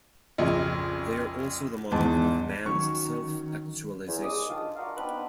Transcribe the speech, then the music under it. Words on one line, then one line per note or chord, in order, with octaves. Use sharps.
They are also the mark of man's self-actualization.
A#1 F2 C#3
E2 G#2 A5
D#3 F#3 C#4 C#6
E2
D#2 D#3 G#3 D6 D#6
D#3 D4 F4
D4 F4 F#4 A#4 D5 F5
B3 C4 D4 D#4 F#4 B4